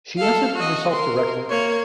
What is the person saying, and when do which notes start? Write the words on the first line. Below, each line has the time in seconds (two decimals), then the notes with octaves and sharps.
She answered for herself directly.
0.17 A4 F5
0.56 F#4 D#5
0.92 A#4 C6
1.49 A#3 C#5